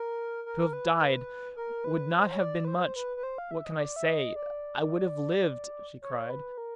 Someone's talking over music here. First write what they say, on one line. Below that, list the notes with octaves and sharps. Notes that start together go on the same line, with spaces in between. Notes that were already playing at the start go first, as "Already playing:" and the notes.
'To have died, would not have been much--what can I say?---I would have lived!' she cried.
Already playing: A#4
A#4
B4
A#4
B4
C5
C#5
D5
B4
C5
B4
B4
C5
F5
E5
D#5
D5
E5
D#5
D5
C#5
B4
A#4